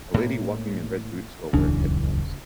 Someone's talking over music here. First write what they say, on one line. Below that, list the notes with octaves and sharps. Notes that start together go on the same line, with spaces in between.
A lady walking in red boots while wearing headphones.
A2 A#3
D#1 C#2 F#2 C#3 E3 D4